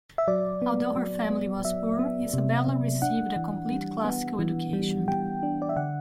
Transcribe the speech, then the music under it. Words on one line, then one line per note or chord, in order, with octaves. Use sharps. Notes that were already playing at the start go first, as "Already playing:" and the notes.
Although her family was poor, Isabella received a complete classical education.
E5
F#3 D5
B3
F#3
B3
F#3 E5
B3
C3
C3
D4 F#5
E3
G3
B3
E3
G3
G3 G5
D4
D5
E5
D3 F#5